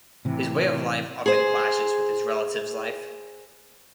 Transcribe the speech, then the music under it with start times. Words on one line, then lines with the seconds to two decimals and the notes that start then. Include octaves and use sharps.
His way of life often clashes with his relatives' life.
0.25 A2 C3 E3
1.26 G#4 C5